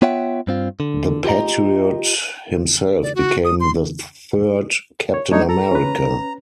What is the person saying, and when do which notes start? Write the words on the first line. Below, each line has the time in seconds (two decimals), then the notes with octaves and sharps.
The Patriot himself became the third Captain America.
0.02 B3 F4 C#5 E5 F#5 G5
0.47 G2 C4 F4
0.80 D3
1.24 F4 G4 A4 D#5 A#5
3.03 D5
3.15 F#4
3.45 D#6
3.60 C6
5.14 C#5
5.32 G3 A3 D4 D#4 C#5
5.49 A4 A#5
5.71 C#4 B4